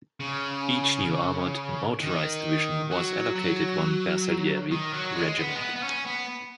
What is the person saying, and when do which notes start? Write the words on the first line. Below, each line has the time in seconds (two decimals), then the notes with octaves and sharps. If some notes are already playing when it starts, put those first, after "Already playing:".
Each new armoured and motorised division was allocated one Bersaglieri regiment.
0.20 C#3
2.00 D#3
2.91 F#3
3.36 F#3
4.71 D#3
4.93 F#3
5.15 G#3
5.38 B3
5.55 G#3
5.60 B3
5.76 B3
5.83 C#4
6.06 B3